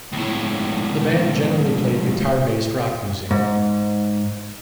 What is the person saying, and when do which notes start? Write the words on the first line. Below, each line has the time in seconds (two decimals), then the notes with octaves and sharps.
The band generally played guitar-based rock music.
0.12 C#2 A2
3.31 G#2